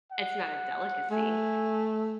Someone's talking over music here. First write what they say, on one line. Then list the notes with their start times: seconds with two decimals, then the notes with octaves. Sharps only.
it's not a delicacy.
0.12 F#5
1.11 A3 G#5